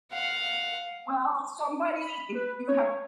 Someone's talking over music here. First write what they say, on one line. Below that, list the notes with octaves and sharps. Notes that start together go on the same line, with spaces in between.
Well, somebody if you have
F5 F#5
B5
B4
C#5